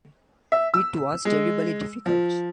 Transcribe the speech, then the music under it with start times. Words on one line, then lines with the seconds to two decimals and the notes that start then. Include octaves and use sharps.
It was terribly difficult.
0.52 E5
0.74 E6
1.25 G#3
2.06 F3